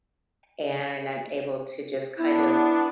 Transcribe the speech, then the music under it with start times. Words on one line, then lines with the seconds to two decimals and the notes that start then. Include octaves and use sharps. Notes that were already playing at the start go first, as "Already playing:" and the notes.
and I'm able to just kind of
2.18 B3 D4 E4